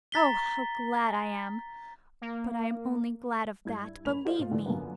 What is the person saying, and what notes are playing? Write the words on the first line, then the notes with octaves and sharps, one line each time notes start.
Oh, how glad I am! But I am only glad of that, believe me.
A#5 A6 B6 G7
A#3
G2 E4 G#6
F#1 A#4 B5 F7
F#4 A4 C5 D5 D#5 F5
A#2 F4
D3 E3 D4
F#2 A#2 D3 A#3 B3